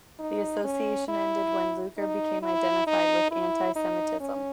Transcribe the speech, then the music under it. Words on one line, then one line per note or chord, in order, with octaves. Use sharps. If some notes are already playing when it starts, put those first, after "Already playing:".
The association ended when Lueger became identified with anti-semitism.
D#4
C#4
E4
D#4
E4
D#4
E4
D#4
C#4